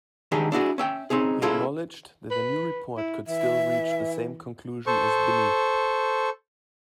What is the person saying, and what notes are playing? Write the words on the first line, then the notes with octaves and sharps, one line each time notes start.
He acknowledged that a new report could still reach the same conclusion as Binnie.
D#3 E3 G#3 D4 G4 G#4
D4 E4 F#4 G#4
C#4 E5 G5
C4 C#4 D#4 G#4
A#3 C#4 E4 F4 G#4 A4
B4
E4
E3 E5
A4 C5 C#6